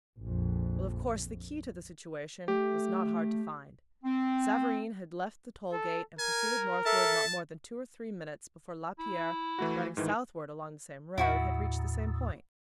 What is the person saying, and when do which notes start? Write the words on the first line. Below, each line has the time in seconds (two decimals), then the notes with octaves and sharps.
Well, of course, the key to the situation was not hard to find. Savareen had left the toll-gate and proceeded northward not more than two or three minutes before Lapierre, riding southward along the same road, had reached the same point.
0.21 A#1 F2
2.48 A3 G4
4.04 C4
5.73 A4
6.19 A#4 G#5
6.86 A4 E5 A5
8.99 E4
9.59 E3 A3 F#4
9.97 G#2 D#3 E3
11.18 D#2 A2 E4 F#4 B5